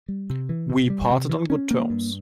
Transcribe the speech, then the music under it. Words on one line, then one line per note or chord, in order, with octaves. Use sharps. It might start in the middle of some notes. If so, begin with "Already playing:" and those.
We parted on good terms.
G3
C3
E3
C3
G3
C3
E3
C#4
A#3
G2